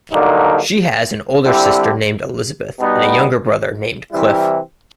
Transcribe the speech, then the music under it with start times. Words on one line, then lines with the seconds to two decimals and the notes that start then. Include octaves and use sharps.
She has an older sister named Elizabeth and a younger brother named Cliff.
0.12 G2 D3 F#3 A#3 D#4
1.45 D3 G3 C4 E4 G4
2.79 B2 G3 B3 D#4
4.12 C3 E3 G3 C4 E4